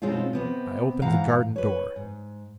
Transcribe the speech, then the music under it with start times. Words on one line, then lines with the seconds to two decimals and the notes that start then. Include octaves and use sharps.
I opened the garden door.
0.02 B2 G#3 C4 C#4 D#4 F4
0.33 C3 B3 C4
1.02 G#2 E3 F5 F#5 A#5
1.56 B4 C#5
1.96 G#2